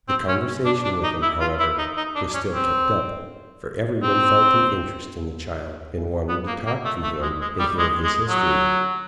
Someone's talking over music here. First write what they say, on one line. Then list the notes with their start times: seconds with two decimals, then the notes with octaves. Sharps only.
The conversation with him, however, was still kept up, for everyone felt an interest in the child, and wanted to talk to him and hear his history.
0.08 C4
0.28 C#4
0.65 D4
0.84 D4
1.03 D#4
1.22 E4
1.41 F4
1.59 E4
1.78 D#4
1.97 D#4
2.15 D4
2.34 C#4
2.53 C4
4.03 C4
6.29 B3
6.47 A#3
6.66 A#3
6.85 A3
7.03 A3
7.22 G#3
7.41 G#3
7.60 G3
7.79 G#3
8.04 G#3
8.29 F#3